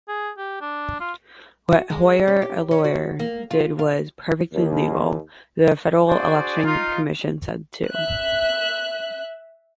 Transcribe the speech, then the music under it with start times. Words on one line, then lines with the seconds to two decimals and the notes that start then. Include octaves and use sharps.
What Hoyer, a lawyer, did was perfectly legal, the Federal Election Commission said, too.
0.08 G#4
0.38 G4
0.61 D4
1.00 F4
1.71 F#4
1.90 G#3
2.28 C#4
2.42 G4
2.71 C#4
2.84 F#4
3.19 A#3
3.51 F4
3.79 F4
4.53 D#2
6.08 D4 F#4 G#4 C5 D5
6.64 D#4 F4
7.88 E5 F#6